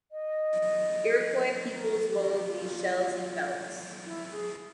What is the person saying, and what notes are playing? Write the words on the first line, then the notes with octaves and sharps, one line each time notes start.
Iroquois peoples wove these shells in belts.
D#5
A#4
G4
F#4
G4
F4
E4
G#4